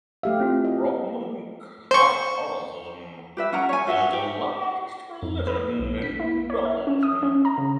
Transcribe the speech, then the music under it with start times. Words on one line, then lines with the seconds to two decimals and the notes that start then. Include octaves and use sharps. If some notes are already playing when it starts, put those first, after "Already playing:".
Roman Catholicism, is the largest religion in Belgium.
0.23 A3 G4 E5 F5
0.40 C4 E4 F4
0.65 D#5
1.91 C5 C#6
3.37 G4 B4 E5
3.52 C#4 A#4 F#5 A#5
3.69 C#5 G#5
3.87 F#4 E5 F#5
4.13 G4
5.23 F2
5.47 B4
5.79 B1
6.02 B6
6.20 E4
6.50 C#5
6.65 E5
6.87 C#4
7.03 D#6
7.23 C#4
7.45 A#5
7.58 C#3